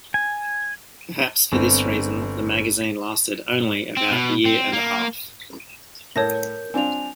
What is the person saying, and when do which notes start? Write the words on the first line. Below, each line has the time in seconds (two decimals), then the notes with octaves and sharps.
Perhaps for this reason, the magazine lasted only about a year and a half.
0.14 G#5
1.52 G1 C4
3.97 C4
4.11 B2
4.45 C4
4.73 A#3
6.16 A2 A#4 C#5 A5 G6 A#6
6.74 C4 D4 F4 G#5 F7